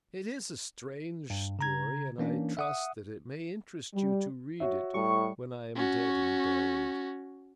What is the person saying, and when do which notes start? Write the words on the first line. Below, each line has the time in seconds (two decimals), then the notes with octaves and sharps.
It is a strange story, and I trust that it may interest you to read it when I am dead and buried.
1.30 G2
1.59 C#3 A#5 G#6
2.18 E3 A#3 C#4 D4
2.57 E5 F#5 D#6
3.94 G3
4.60 F#4 C#5 E5
4.94 A2 G3 C#6
5.76 C#4 F#4